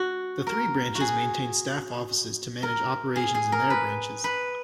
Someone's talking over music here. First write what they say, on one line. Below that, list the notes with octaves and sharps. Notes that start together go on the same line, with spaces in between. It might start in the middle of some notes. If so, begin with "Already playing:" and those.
The three branches maintain staff offices to manage operations in their branches.
Already playing: F#4
A#4
F#4
G#4
A#4
G#4
G#4
A#4
B4
B4